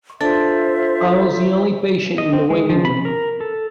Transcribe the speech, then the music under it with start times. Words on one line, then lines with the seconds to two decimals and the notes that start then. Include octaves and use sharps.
I was the only patient in the waiting room.
0.21 D4 F4 A4 C5 E5
2.18 D#5
2.33 C4
2.50 G#3
2.70 F3
2.85 B5
3.05 A#4
3.41 A4